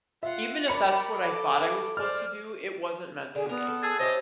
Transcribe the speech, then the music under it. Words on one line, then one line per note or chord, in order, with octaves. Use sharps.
even if that's what I thought I was supposed to do, it wasn't meant for me.
F4 E5 F#5
A#4 D5 B5 C#7
A4 D6
C5 D5 F6
D3 G#4
B3 A#4
A4
G#4 A5 E6 A6
C#4 E4 G4 C5 C#5 D#5